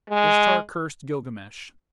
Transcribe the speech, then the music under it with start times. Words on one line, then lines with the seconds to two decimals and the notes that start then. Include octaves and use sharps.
Ishtar cursed Gilgamesh.
0.10 G#3